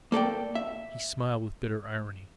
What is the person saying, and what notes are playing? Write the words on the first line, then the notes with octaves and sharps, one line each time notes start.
He smiled with bitter irony.
A#3 A4 D5 G5
E5